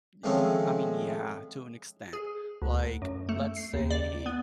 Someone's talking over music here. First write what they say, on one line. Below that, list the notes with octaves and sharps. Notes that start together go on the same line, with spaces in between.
y I mean, yeah, to an extent, like, let's say
D#3 F3 G#3 A3 C4 C#4
G#4
D2
F#2
A3
C7
D#2
D5
B3